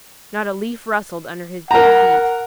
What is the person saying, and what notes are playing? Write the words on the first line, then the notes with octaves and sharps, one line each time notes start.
Not a leaf rustled under his big feet.
A#4 F#5 A#5